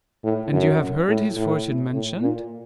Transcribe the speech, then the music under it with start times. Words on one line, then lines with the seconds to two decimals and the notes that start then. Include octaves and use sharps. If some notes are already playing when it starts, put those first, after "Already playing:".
"And you have heard his fortune mentioned?"
0.24 A2
0.53 F#2
1.09 A2
1.37 A2
1.94 A2
2.21 A#2